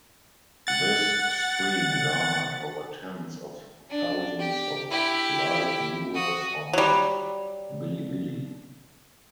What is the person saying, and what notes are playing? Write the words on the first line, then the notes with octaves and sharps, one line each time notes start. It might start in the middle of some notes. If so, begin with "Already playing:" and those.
This stream garnered over tens of thousands of live viewers on bilibili.
F#5 A6
D4
G4
E4 G4
F#4 D#6
F#3 G3